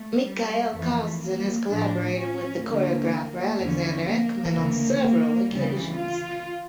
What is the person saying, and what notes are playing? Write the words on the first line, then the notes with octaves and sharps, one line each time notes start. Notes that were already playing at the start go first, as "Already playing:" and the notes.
Mikael Karlsson has collaborated with the choreographer Alexander Ekman on several occasions.
Already playing: A3
G3
F2 E3 A3
A#3
A2 F3 D4
C#4
D2 D3 F3 A#3
E2 D3 F3 C#4
A#3
D2 C#3 E3
A#3
D2 C#3 E3 G3
F4